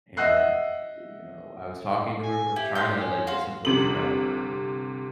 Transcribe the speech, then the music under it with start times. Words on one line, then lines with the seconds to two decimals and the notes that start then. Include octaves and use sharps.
and, y you know, I was talking to her for tryna like, get some closure out of her,
0.17 D#5 E5 F#5 E6 F#6 C7
2.23 G#5
2.56 E4 G4
2.75 D#4 C6 G6
3.00 C#4
3.27 F#4 F5 C6
3.65 G1 C3 F#7